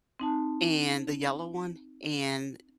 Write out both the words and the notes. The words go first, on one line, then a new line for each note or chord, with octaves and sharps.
and the yellow one, and
C4 D#4 A5